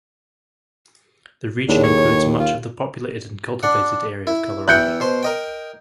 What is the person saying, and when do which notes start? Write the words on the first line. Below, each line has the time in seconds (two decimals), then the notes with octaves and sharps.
The region includes much of the populated and cultivated area of Colorado.
1.68 D#2 D4 E4 G#4 C#5
1.84 B2 A4 C#5
2.39 F4
3.63 D4 F#5
4.27 E4
4.68 E2 E4 G5 F#6 G6 C#7
5.00 B2 C5 C6
5.23 A#4 D#5 G5